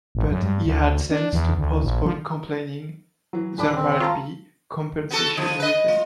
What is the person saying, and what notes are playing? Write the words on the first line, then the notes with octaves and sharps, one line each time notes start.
But he had sense to postpone complaining: there might be compensation within.
A1
F#2
G2
D2
D4
E2
D2
A#1
F3
E3 F#3
D#1 D4 B5 D6
C4
F4 A5 A#5 C#6
B3 F#4 A4
D3 F3
B4 D#5
F4